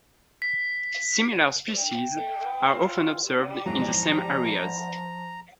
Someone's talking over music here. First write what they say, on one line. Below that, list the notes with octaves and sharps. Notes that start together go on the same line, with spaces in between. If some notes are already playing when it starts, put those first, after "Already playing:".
Similar species are often observed in the same areas.
B6
G5
F4
E2 G#2 F3 F#3 A#5